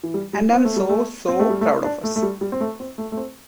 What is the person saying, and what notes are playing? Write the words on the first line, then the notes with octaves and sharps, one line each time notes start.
And I'm so so proud of us.
E3
G3
G3
C4
A3
G3
A3
C4
A3
G3
A3
D4
A3
A3
G3
G3
C4
A3
C4
A3
A3
C4